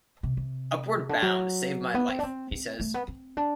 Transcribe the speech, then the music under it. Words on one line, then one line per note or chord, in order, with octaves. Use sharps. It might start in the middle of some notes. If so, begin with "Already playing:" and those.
"Upward Bound saved my life," he says.
C3
C3
D3
F#3
B3
C4
D4
C4
C4
A3
B3
C4
D4